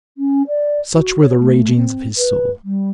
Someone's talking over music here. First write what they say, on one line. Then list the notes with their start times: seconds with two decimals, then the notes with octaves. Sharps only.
Such were the ragings of his soul.
0.17 C#4
0.47 D5
0.93 F#4
1.21 C#5
1.39 A3
1.75 C4
2.17 B4
2.64 G3